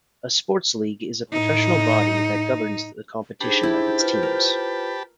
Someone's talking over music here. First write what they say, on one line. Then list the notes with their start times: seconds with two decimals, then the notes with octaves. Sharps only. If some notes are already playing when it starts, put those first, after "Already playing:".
A sports league is a professional body that governs the competition of its teams.
1.32 A2 D#4
3.41 D4 D#4 G4 G#4 C5 A5 B5
3.63 E4
4.00 F4 B4
4.23 A#4